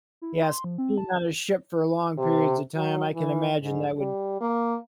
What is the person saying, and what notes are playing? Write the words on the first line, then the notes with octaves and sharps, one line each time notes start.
yes, being on a ship for long periods of time, I can imagine that would
E4
C6
F3
C4
A5
C3
F#3
E3
G#2
G3
A#3